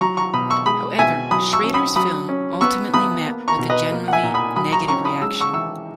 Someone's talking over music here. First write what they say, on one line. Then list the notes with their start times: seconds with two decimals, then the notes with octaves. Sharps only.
However, Schrader's film ultimately met with a generally negative reaction.
0.01 F#3 A#5 C#6
0.17 A#5 C#6
0.34 B2 B5 D#6
0.50 C#6 E6
0.66 G#3 B5 D#6
0.99 B2 E5 G#5
1.31 F#3 B5 D#6
1.53 C#6 E6
1.64 C#4
1.74 B5 D#6
1.96 F#3 B5 D#6
2.29 C#4
2.61 B3 C#6 E6
2.94 B3 B5 D#6
3.27 A#3
3.48 A#5 C#6
3.59 B2
3.70 B4 D#5
3.91 A#3
4.08 F#5
4.13 E5 G#5
4.23 A#2
4.34 B5 D#6
4.56 F#3 B5 D#6
4.72 A#5 C#6
4.88 C#4 A#5 C#6
5.05 B5 D#6
5.22 G#3 E6
5.41 C#6 E6
5.53 E3 C#6 E6